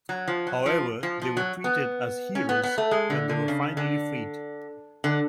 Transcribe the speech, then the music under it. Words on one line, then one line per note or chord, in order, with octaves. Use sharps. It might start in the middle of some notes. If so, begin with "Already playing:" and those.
However, they were treated as heroes when they were finally freed.
F#3
F3
F#3
F3
F3
F3
F#3
B3
C#4
B3
B3
A3
G#3
D3
D3
C#3
D3
D3